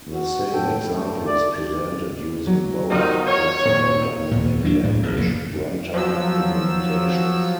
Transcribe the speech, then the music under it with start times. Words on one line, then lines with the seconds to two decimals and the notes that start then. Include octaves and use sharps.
The same example is presented using both classic and Dynamic Language Runtime implementations.
0.12 F#4
0.53 A2 A4 G5
0.90 A3
1.27 D5
2.46 F#3
2.90 E2 C3 D#3 D#4 F4 F#4
3.27 C#5
3.65 A#2 D#3 C4
4.31 D#2 A#2
4.64 E3 F#3 A#3 D4
4.84 B1 A2
5.03 A1
5.17 F2 C#3 A#3
5.94 F3 F#3 E6